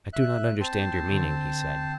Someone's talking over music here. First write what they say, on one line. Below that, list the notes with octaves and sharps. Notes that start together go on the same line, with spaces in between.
I do not understand your meaning, he said.
E5 F#6
C4 C5 A5
D3